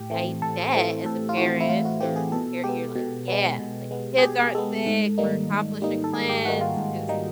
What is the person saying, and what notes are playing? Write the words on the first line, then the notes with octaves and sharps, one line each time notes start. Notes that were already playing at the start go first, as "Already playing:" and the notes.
I bet, as a parent or you're you're like, "Yeah," like, "kids aren't sick, we're accomplishing plans, 'cause"
Already playing: A2 G4
E3 A3 C4
A2 A4
E3 A3 C4
A2 A4
F4
E3 A3 C4 F#4
E4
A2 F4
F#4
E3 A3 C4 G4
G#4
B2 A4
G#3 B3 G4
B2
G#3 B3
B2
G#3 B3
G#4
B2 G4
G#3 B3 A4
G#2
D#3 G3 A#3 D#4
G#2
D#3 G3 A#3 D#4
A4
G#2 G#4
G4
D#3 G3 A#3 D#4 F#4
F4
G#2
D#3 G3 A#3 D#4